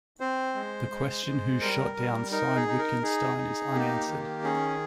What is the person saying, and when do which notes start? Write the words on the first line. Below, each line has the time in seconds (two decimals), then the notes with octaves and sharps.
The question who shot down Sayn-Wittgenstein is unanswered.
0.20 C4 C5
0.55 G#3
0.91 G#3
1.26 G#3
1.61 G3 A#4
1.97 G3
2.32 D#4 A#4
2.56 G#4
2.68 D#4
2.79 A#4
3.03 D#4 G#4
3.38 D#4
3.74 A#3 G4
4.08 D#3
4.43 C#4 G#4